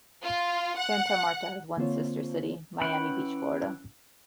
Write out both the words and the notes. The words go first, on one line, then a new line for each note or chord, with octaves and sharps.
Santa Marta has one sister city: Miami Beach, Florida.
F4
F#5
D3 A#3 C4 F4 C5 C#5
E3 C#4 F#5 G5 B5